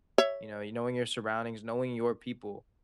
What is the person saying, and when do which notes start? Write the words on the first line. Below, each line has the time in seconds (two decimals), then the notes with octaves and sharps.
you know, y knowing your surroundings, knowing your people,
0.18 C#5 E5